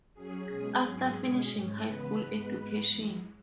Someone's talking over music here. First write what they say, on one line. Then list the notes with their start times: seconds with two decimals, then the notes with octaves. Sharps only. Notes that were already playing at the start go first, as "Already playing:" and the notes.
After finishing high school education.
0.13 F#2 F#3 C#4 G#4
0.47 B2 G#3 C#4
0.82 G#2 F#3 C#4 G#4
1.16 B2 G#3 C#4 G#4
1.50 G#2 G#3 C#4
1.85 E2 C#3 G#3 B3 B4
2.20 G#2 G#3 B3
2.53 G#2 G#3 B3
2.88 F#2 E3 G#3